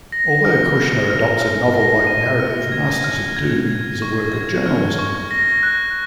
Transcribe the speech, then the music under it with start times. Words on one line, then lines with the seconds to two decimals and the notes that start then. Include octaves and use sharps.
Although Kushner adopts a novel-like narrative, "Masters of Doom" is a work of journalism.
0.12 A#6
0.45 F6
0.77 F6
1.10 F6
1.42 F6
1.74 A#6
2.07 D#7
2.40 F6
2.72 G#6
3.04 F6
3.37 G#6
3.69 G#6
4.02 C#6
4.34 G#6
4.66 F6
4.99 C#6
5.31 A#6
5.63 F#6